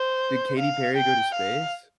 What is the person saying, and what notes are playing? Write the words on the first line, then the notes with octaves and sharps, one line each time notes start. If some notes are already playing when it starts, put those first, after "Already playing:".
Did Katy Perry go to space?
Already playing: C5
F5
G5
F5